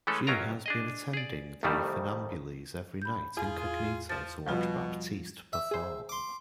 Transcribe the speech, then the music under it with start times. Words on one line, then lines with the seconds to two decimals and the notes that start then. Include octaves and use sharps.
She has been attending the Funambules every night incognito to watch Baptiste perform.
0.07 E3 G#3 A3 C#4 A4
0.27 C#2 F#3 C#4 F4 A#4 A#5
0.66 D4 G#4 D#5
1.13 G#4 D5
1.63 C2 F2 D#3 E3 G3 A3
3.02 B5 G6
3.37 E2 F4 G#4
4.09 F3 A6
4.47 B2 F3 G3 F4
5.53 E5
5.71 G#4 C5
6.09 C6 D6